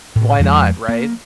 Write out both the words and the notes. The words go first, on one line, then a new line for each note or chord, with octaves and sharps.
Why not, right?
A2
F2 F3 G3 G#3
A#3